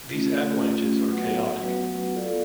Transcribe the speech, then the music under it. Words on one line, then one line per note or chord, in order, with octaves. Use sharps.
These avalanches are chaotic.
A3 C#4 F4
A3 C#4 F4
F#3 B3 F#4 B4 F#5
F#3 B3 F#4 B4 F#5
F4 A4 D5 F5